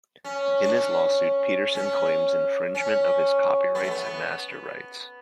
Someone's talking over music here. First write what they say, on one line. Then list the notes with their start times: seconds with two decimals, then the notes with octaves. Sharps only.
In his lawsuit Peterson claims infringement of his copyrights and master rights.
0.24 C#4
0.64 D4
0.74 C#4
1.75 C#4
2.75 C#4
3.75 B3
3.83 A3
3.91 B3